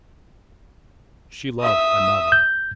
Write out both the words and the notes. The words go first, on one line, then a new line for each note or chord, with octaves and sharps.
She loved another.
E5 D#6
G6